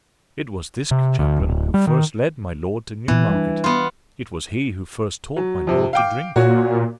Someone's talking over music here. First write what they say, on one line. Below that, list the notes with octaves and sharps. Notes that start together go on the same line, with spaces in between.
It was this chaplain who first led my lord to Newmarket; it was he who first taught my lord to drink.
C3
D2
D1
G3
D#3
A#2 E3 B3
G3 D4
B3 F4
F#3
F2 C3
F5 G5 D6
A#2 F#4 C#5